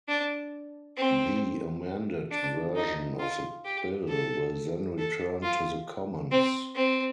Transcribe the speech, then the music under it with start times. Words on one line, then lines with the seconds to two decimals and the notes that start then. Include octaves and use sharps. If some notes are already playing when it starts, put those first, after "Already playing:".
The amended version of the bill will then return to the Commons.
0.08 D4
0.97 C4
2.31 D4
2.75 D#4
3.19 F4
3.65 G4
4.08 A4
4.98 A4
5.42 F4
6.31 C4
6.75 C4